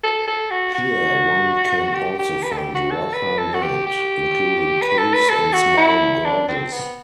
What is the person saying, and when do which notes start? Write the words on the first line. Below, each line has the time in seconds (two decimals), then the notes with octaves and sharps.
Here one can also find rougher land, including caves and small gorges.
0.03 A4
0.27 A4
0.50 F#4
0.74 F#4
1.94 G4
2.19 G4
2.43 B4
2.52 A4
2.58 G4
2.75 F#4
2.90 A4
3.13 B4
3.38 A4
3.54 F#4
3.62 G4
3.86 G4
4.81 B4
4.98 A4
5.14 B4
5.29 A4
5.53 F#4
5.77 E4
6.25 D4
6.48 C4
6.73 B3